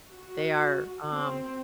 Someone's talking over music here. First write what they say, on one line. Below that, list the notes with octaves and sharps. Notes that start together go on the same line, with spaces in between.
They are, um,
F#4
C4